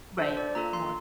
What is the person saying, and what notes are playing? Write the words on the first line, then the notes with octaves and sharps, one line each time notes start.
Right. More.
D4 A4 C5
D5
A#3 F4 A4 A#5
C6